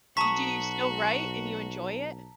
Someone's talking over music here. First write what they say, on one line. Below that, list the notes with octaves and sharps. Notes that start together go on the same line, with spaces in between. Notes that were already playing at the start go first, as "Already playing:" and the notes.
you do you still write and you enjoy it?
B1 F#4 A5 A#5 C#6 D#6 B6